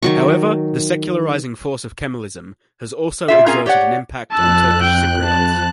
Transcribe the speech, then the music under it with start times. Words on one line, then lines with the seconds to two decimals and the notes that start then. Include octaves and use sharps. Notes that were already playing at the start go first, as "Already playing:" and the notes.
However, the secularizing force of Kemalism has also exerted an impact on Turkish Cypriots.
0.03 D#3 F#3 C#6
3.28 A#2 F4 E5
3.46 C4 C#4 F4 G#4 A#4 A#5
3.66 G4 C#5 D5 F#5
4.32 F2 A5 E6 F#6
4.82 G5
5.24 A5